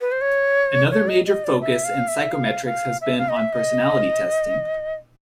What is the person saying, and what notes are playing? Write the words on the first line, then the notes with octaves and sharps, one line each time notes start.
Another major focus in psychometrics has been on personality testing.
B4
C5
C#5
C#5
D#5
D#5
D5
E5
F5
E5
F5
F5
E5
F5
D#5
E5
D#5